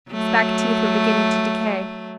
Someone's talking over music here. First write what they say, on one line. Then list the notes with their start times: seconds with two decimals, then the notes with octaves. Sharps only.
His back teeth were beginning to decay.
0.11 F#3 A3